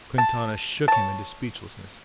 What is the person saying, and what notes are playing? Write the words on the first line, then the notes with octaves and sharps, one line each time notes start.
Quintana shook him into speechlessness.
A5
C#5 A5